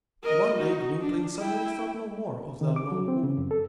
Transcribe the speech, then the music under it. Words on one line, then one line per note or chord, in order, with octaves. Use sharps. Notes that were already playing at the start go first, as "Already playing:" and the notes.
One day Gwynplaine suddenly thought no more of the unknown woman.
A#4 D#5
D#4 F#4
D4
E4 G5
D#3
D6
F#3
C4
C#3
F#2
A4